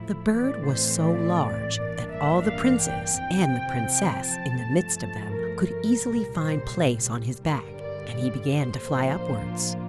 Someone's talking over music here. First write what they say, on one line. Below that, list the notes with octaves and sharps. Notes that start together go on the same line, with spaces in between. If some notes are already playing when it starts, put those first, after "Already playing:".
The bird was so large that all the princes, and the princess in the midst of them, could easily find place on his back, and he began to fly upwards.
Already playing: A2 F3 A3 E4
A2 E3 A3 C4 D5
C5
D5
A1 G2 E3 A#3 D4
E5
F5
G5
F2 C3 F3 C4 G5
A5
G2 F3 A3
A5
A#4
A#4
C2 A#2 G3
C5
G2 D3 G3 A#4
D5
C5
A2 F3 A#3 D4 F4 C5